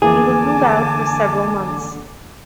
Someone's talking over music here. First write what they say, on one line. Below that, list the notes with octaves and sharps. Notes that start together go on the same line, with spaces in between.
He was ruled out for several months.
F2 D3 E3 A#3 G#4 G#5 A5 D6